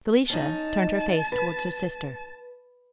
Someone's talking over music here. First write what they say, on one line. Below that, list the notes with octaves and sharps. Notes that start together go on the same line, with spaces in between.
Felicia turned her face towards her sister.
C#4 D#4 A5
B4